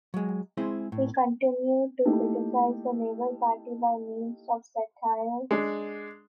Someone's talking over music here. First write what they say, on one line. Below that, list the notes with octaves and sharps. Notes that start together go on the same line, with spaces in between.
He continued to criticise the Labour Party by means of satire.
F#3 G#3
G#3 C4 E4 G#4 C5
A2
A3 A#3 D#4 E4 G4 A4
G#3 D4